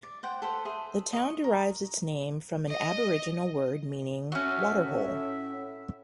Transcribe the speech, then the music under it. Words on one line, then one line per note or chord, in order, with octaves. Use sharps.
The town derives its name from an Aboriginal word meaning "water hole".
D5
C5 F#5 G5
A4 B4 C5
G#4 E5 C6
D#5 C#6
A#4
D#5
A2 C#4 F#4 E5